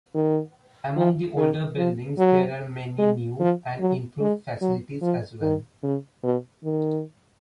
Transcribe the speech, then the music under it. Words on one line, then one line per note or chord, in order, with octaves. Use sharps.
Among the older buildings, there are many new and improved facilities as well.
D#3
F3
D#3
F3
F#3
G#3
F3
F#3
G#3
F#3
F3
D#3
C#3
B2
D#3